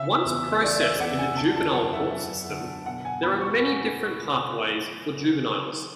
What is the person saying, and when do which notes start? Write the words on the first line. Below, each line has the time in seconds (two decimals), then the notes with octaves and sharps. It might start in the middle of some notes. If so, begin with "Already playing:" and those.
Once processed in the juvenile court system there are many different pathways for juveniles.
Already playing: C#3 E5
0.25 E2
0.62 E3 D5
0.81 E5
1.00 E2 F#5
1.19 G#5
1.36 D3 A5
1.56 A5
1.74 F#2 F#5
1.93 E5
2.11 F#2 E5
2.49 D3
2.86 B2 F#5
3.05 G#5
3.23 E2 B5
3.41 C#6